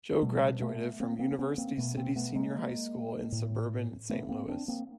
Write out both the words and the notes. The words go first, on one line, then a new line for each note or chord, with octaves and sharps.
Joe graduated from University City Senior High School in suburban Saint Louis.
B2 G3 A3
A3 B3
A#3 C4
A#3 C4
C4
B3 C#4
A#3 C4
B2 A3 B3
A#3 C4
A3 B3
G#3 A#3
A2
A3 B3
A#3 C4
C4 D4
A#3 C4